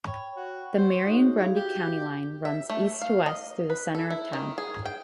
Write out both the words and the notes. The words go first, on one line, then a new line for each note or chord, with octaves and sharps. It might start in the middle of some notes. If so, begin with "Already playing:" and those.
The Marion-Grundy county line runs east-to-west through the center of town.
C#5 G5 B5
F#4
C5 C#5 F#5 C#6
G#3 D#4 F#4
E4 G#4 F5
F#4 G4
E5
A3
F5
D#5
B4
A4
E4
D#3
G#4
G5